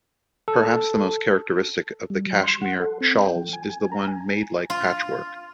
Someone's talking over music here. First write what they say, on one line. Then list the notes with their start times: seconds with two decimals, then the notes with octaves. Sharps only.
Perhaps the most characteristic of the Kashmir shawls is the one made like patchwork.
0.48 A4
2.10 G3
2.27 F#3
2.42 C6
2.61 F#5
2.80 A4
3.01 C4
3.19 G5
3.36 F3
3.53 G#5
3.70 G#5
3.92 A#5
4.08 G#5
4.70 F4